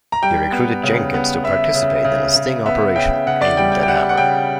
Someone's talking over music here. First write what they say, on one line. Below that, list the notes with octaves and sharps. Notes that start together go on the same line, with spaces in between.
They recruited Jenkins to participate in a sting operation aimed at Hammer.
A#5
G3 G5
B3
C#3
B3
B3 E5
C#3
C#3
C#3
B3 E5
C#3 G5
C#3 F#5
D5
G3 G5
G5
G5
G3 F#5
F#5
C#3 G5